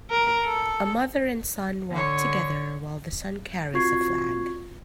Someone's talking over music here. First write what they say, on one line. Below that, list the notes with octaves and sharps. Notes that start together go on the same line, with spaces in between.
A mother and son walk together while the son carries a flag.
A#4
A4
D3 C#5
C4 F4 F#4 C#6 G#6 C7